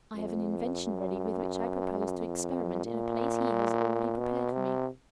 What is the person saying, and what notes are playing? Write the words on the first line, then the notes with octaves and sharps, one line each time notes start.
I have an invention ready with which I propose to experiment in a place he has already prepared for me.
F2
F#2
F2
A#2
B2
C3